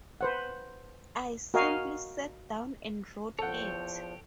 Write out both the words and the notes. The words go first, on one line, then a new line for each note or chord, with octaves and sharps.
I simply sat down and wrote it.
B4 C5 F#5
F#4 A#4 D#5 F5 G#5
E2 F3 A4 C#5 F#5 G5